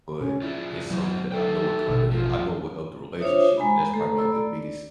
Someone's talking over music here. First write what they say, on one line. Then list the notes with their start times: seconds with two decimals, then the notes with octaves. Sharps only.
but it's something that I know it kinda I know it would help the relationship, and that's probably like the biggest
0.21 C#3 C#4
0.42 E4 F4 G#4 D5
0.90 F#3 B3 F#4 C5
1.32 D#4 A4 E5 G5
1.88 A1 B2
2.11 E2 G#2 F3 F4
3.20 D4 F4 C5 C#5 E5 D#6
3.57 G#3 G#5 A#5 B5
3.94 A3 A4 A#5
4.18 A3 A4 A#5 B5 E6
4.32 D5